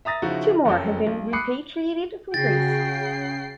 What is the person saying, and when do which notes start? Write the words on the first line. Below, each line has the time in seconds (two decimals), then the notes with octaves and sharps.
Two more have been repatriated from Greece.
0.05 E5 A#5 D#6 A6 A#6
0.22 C#3 F3 D#4 E4 F#4
0.65 F#1 F2 F#3 A4
1.07 B1
1.33 B5 D6 D#6 F#6 C7 C#7
2.34 C#3 F#4 G#4 G5 A6 A#6 C7